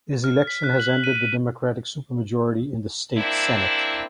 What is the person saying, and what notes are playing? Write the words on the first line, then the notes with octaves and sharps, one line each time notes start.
His election has ended the Democratic supermajority in the State Senate.
F6
B6
F#6
F#7
D#7
D#7
A#3 C4 D4 E4